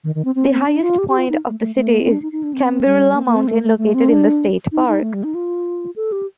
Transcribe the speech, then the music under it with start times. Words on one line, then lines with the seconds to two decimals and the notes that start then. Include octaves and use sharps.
The highest point of the city is Cambirela mountain, located in the state park.
0.04 D#3
0.15 D#3
0.25 C4
0.35 C4
0.51 C4
0.66 D4
0.82 F4
0.98 G4
1.09 G4
1.18 F4
1.29 D#4
1.49 A3
1.60 A3
1.76 A3
1.91 A#3
2.01 C4
2.11 D4
2.22 D#4
2.32 D#4
2.43 D4
2.53 C4
2.85 G3
3.16 A#3
3.26 A#3
3.36 C4
3.48 A3
3.63 A3
3.78 A3
3.94 C4
4.09 D4
4.72 D#4
4.88 D#4
5.02 A3
5.13 G3
5.24 D#4
5.34 F4
5.96 A4
6.12 G4